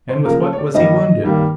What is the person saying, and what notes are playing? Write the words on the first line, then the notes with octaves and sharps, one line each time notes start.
"And with what was he wounded?"
C5
C#3 F3 A#3 A#4
A4
C#5
D5
G2 D#3 G3 A#3 D#5
G2 D#3 G3 A#3